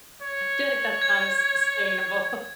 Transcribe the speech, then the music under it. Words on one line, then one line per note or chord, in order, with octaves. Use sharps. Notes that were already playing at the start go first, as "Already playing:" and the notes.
feel like that's not as sustainable,
C#5
G#6